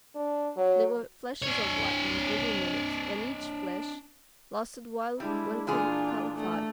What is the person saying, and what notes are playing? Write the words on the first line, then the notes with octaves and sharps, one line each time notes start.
There were flashes of lightning every minute and each flash lasted while one could count five.
D4
F#3
D4 C#5
G3 G#3 D4 E4
A#2 E3 D4 F4 G#4
A3